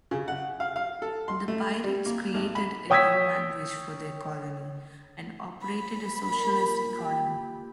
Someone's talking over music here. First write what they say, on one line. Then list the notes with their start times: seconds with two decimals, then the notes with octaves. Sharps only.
The pirates created a new language for their colony and operated a socialist economy.
0.11 C#3
0.28 F#5
0.60 F5
0.76 F5
1.02 A4
1.28 C6
1.48 A3
1.84 G3
2.06 A#3
2.34 G#1
2.55 B5
2.90 C#5 G5 D#6 E6 G#6 B6
5.62 B5
6.28 A#2
6.98 G4